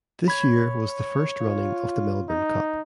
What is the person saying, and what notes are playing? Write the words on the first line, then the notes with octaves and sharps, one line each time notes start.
This year was the first running of the Melbourne Cup.
C#5 B5 G#6
F4
D#4